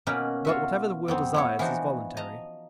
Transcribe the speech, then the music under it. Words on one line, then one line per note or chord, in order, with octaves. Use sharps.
But whatever the will desires is voluntary.
B2 A#3 C#4 D#4 A#4 B4
F4 F#4 E5
F2 B3 C4
B3 E4 C#5
E3 F3 D4 D#4 F#4
D#5 A5 A#5